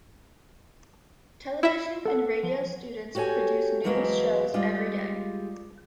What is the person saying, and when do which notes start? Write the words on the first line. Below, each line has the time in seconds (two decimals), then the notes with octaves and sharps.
Television and radio students produce news shows every day.
1.63 E4 E5
2.05 A4 F#5
2.43 F3
3.15 F#4 G4 A4 C#5 G#5
3.84 E2 F3 F#3 G#3 A#3 B3
4.54 G3 G#3 F4